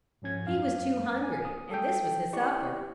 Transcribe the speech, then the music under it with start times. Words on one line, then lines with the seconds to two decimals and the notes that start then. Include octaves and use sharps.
He was too hungry, and this was his supper.
0.22 G#2 F3 C#4 G#6
0.47 F#2 F5
1.23 G#5
1.45 D#6
1.71 A4 G5
2.33 E4 G4 D5 C#6